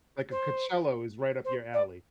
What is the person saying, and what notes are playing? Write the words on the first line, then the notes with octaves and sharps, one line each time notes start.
Like a Coachella was right up your alley.
C5
C5
D5